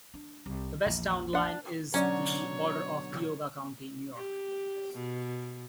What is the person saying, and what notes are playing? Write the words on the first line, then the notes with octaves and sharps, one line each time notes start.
The west town line is the border of Tioga County, New York.
D4
C2
A#1 E2 F3
D4 F#5
B2 D3 F#3 C#4 C#5 D5 A#5
G4
B2